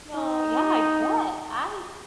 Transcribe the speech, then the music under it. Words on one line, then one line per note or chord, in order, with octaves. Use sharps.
No, yeah, I bet. I
D#4